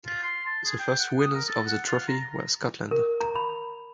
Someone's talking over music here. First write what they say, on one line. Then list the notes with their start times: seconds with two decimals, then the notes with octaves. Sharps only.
The first winners of the trophy were Scotland.
0.06 F4
0.23 C6
0.46 A5
0.65 G#4
0.79 G5
0.99 F#5
1.19 D#6
1.34 A#4
1.48 A4
1.67 F#5
1.87 F4
2.08 A#5
2.91 A#4
3.21 A#5
3.36 B5